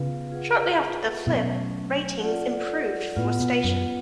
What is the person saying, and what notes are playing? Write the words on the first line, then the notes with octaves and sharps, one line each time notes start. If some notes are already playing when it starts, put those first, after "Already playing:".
Shortly after the flip, ratings improved for station.
Already playing: C#3 B3 F4 B4 F5
F4 G#4 B4 F#5
B2 F#3 A3 C#4
F4 A4 D5 F#5
A2 B3 F4 B4 F#5
B2
F#2